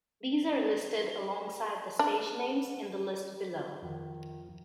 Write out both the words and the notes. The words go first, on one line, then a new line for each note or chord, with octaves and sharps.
These are listed alongside the stage names in the list below.
D4
F2 D#3 F3